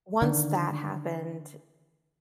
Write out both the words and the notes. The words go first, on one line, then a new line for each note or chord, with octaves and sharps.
once that happened,
D3 D#3